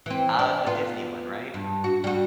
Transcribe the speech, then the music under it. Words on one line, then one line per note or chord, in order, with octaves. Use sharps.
Ah, that's the Disney one, right?
E3 C4
D4
B3 F4
G2
F#4
G3 F#4